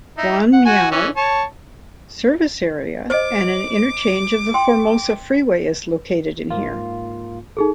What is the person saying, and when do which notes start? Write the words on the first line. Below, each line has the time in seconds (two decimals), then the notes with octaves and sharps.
Guanmiao Service Area and an interchange of the Formosa Freeway is located in here.
0.18 D#4 E4
0.53 F#5
0.66 F#4 G#5
0.91 E3 C#4
1.17 C#5 A5
3.10 C5 D#5 D6
4.54 G5 C6
6.50 G#2 A#3 F4
7.57 D#4 G#4 A4